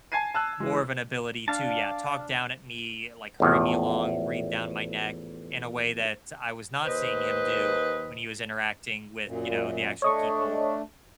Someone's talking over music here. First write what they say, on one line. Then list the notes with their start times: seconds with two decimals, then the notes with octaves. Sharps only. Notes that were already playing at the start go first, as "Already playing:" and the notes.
more of an ability to, yeah, talk down at me, like hurry me along, breathe down my neck in a way that I was not seeing him do when he was interacting with, you know, the actual people
0.12 G#5 A5 G#6 C7 D#7
0.34 A5 E6 F#6
0.60 E3 G#3
1.48 D4 F5 A5
3.40 A1 E2 F3
6.85 D#2 B4 C5 D#5
9.24 F#2 A#2
10.02 A3 D4 C#5 D#5 C#6